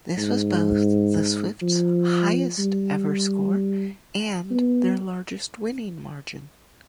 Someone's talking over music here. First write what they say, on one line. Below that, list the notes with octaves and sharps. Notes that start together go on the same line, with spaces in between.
This was both the Swifts highest ever score and their largest winning margin.
G#2
F3
G3
B3